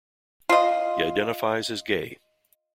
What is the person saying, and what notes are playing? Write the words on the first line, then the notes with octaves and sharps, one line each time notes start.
He identifies as gay.
F4 D#5